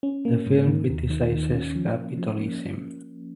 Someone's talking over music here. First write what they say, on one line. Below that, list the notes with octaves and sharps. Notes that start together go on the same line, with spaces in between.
The film criticises capitalism.
C#4
A#3
G#2
D#3
D#2
D#3
D#3
C#4
F3
A#3
F3
A#3